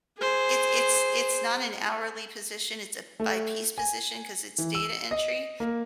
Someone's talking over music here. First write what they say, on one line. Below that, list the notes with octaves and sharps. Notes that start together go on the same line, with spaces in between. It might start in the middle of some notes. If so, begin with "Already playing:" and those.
It it's it's not an hourly position, it's a by-piece position 'cause it's data entry,
G#4 C5
A3
G#5
E3
E6
D#5
A#3